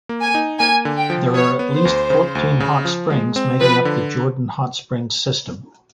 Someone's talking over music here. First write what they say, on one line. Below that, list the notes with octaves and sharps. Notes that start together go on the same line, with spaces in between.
There are at least fourteen hot springs making up the Jordan Hot Springs system.
A#3
G#5
D#4
A#3 G#5
D3
G5
F3
B3 C#5
B3
C5
D2
C#3
D2
C#3
F3
G#3
C4
F3 B4
D3